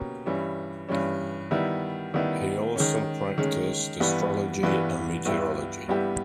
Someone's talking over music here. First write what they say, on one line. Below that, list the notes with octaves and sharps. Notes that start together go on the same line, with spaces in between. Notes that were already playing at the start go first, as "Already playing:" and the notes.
He also practiced astrology and meteorology.
Already playing: B2 A#3 C#4 G4
G2 E3 G3 C#4
G2 E3 G3 C#4
D#3 G3 B3 E4
D#3 G3 B3 E4
D#3 G#3 C#4
D#3 G#3 C#4
G2 E3 G3 B3
G2 E3 G3 B3
G2 G3 B3 E4 G4
G2 G3 B3 E4 G4